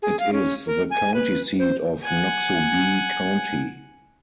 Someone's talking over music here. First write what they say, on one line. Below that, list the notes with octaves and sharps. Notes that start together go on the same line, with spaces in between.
It is the county seat of Noxubee County.
G#4
F5
C#4
A#4
G#5
B4
C5
F#5 G#5